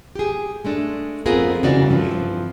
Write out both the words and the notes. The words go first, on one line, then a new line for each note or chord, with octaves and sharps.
To make money.
G4 G#4
G#3 A3 D4
B3 C4 F4 G#4 A#4
E2 C#3 E3 F#4 D5
G2 E3 F3 C4